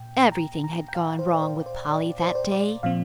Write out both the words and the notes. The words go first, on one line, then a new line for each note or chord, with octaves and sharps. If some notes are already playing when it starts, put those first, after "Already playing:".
Everything had gone wrong with Polly that day.
Already playing: A#2 G5
A#5
A#5
G5
F5
C5
D5
C5
C5
D5
C5
D5
C5
D5
A#2 F3 C4 F5